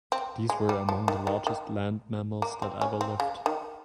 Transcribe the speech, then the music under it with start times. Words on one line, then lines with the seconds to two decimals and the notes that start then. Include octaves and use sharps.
These were amoung the largest land mammals that ever lived.
0.12 C4
0.50 G#3
0.69 G3
0.89 F3
1.08 D#3
1.27 D#3
1.47 D#3
2.42 A#3
2.62 C4
2.81 C#4
3.01 C4
3.20 C#3
3.46 D#3